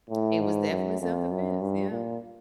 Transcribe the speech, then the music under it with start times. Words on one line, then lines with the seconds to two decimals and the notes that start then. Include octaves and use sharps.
It was definitely self-defense. Yeah.
0.10 A2
0.40 G#2
0.70 F#2
1.01 F2
1.31 F#2
1.61 G2
1.90 A#2